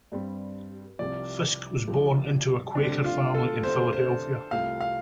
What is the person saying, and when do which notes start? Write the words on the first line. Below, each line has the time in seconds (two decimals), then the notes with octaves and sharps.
Fisk was born into a Quaker family in Philadelphia.
0.12 G2 G3 C4
0.99 C2 C3 F3 D5
1.88 C2 C3 F3
2.75 D3 A3 C4 D4 G4
3.04 F4
3.35 A4
3.63 D3 A3 C4 G4 C5
3.93 C5
4.51 C2 C3 A3 F4 F5
4.81 F5